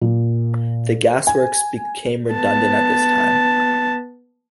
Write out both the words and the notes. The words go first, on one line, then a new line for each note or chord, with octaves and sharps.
The gas works became redundant at this time.
A#2
G#5
B3 A5